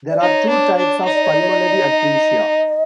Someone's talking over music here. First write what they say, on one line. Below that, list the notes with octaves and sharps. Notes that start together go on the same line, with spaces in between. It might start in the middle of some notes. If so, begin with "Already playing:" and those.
There are two types of pulmonary atresia.
D5
D#4 C#5
D4
D4
D#4 C#5
D5
C#5
D5
C#5
D5
C#5
D5
C#5
D#5